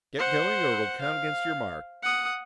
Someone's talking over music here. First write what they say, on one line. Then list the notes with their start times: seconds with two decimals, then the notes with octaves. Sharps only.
"Get going or it'll count against your mark!"
0.18 C5 F#5
1.01 F5
2.03 F#5 D#6